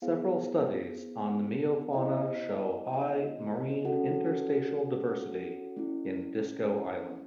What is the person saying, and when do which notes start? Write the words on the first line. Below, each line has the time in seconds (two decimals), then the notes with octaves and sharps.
Several studies on the meiofauna show high marine interstitial diversity in Disko Island.
0.02 B3 E4 G#4 C5 F5
1.93 B3 E4 G4 C5 D#5
3.85 C#4 F#4 A4 C#5 F#5
5.76 A3 C#4 E4